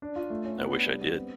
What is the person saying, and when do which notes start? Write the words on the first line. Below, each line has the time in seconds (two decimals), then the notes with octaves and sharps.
I wish I did.
0.02 D4
0.16 F4
0.30 A3
0.45 C#4
0.58 B3
0.73 D4
0.87 G3
1.01 B3
1.15 C4